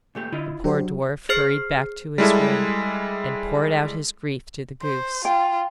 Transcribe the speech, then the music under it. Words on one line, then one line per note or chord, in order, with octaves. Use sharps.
The poor dwarf hurried back to his room, and poured out his grief to the goose.
A#2 A3 G4
D3 E4 F4 D#5
F#3 D4 G4 C5
G#4 C5 F6 C7
G3 G#3 E4 A4
C5
F4 G5